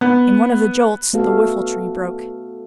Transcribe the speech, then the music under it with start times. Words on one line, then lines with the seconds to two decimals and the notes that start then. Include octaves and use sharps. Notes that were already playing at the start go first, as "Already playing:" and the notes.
In one of the jolts, the whiffle-tree broke.
0.01 B3
1.13 A3 B3 F#4 A4 F5